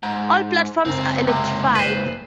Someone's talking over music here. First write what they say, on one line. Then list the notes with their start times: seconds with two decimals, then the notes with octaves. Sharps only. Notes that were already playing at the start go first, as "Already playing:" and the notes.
All platforms are electrified.
0.03 G#2 A#5
0.85 F#1 C#2 C4 A#5
1.27 G#2 C3 A#3
1.75 B4 C5